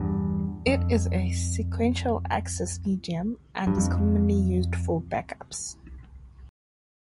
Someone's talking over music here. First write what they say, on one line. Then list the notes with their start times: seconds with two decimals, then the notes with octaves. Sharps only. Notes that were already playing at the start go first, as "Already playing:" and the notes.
It is a sequential-access medium and is commonly used for backups.
Already playing: E2 G2
0.67 F2
3.67 G2
3.78 F2